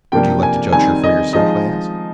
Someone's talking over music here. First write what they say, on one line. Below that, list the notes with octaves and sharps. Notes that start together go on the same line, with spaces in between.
"Would you like to judge for yourself?" I asked.
C3 F3 A#3 D4 G5
G#5
D#3 G3 C4 D#4 G#5
D#5
F3 G#3 D#4 D#5